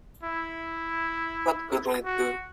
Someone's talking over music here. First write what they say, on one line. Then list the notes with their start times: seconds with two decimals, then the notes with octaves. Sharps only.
What good'll it do?
0.23 E4
2.05 F#4